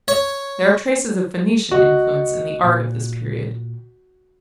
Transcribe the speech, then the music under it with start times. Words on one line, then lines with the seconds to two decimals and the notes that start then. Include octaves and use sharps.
There are traces of Phoenician influence in the art of this period.
0.08 C#5
1.71 C#2 F#4 D#5
2.63 A#2